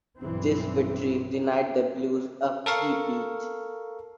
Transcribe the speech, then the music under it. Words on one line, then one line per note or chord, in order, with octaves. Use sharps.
This victory denied the Blues a three-peat.
B1 G2 E3 C4
A4 A#4 F5 C#6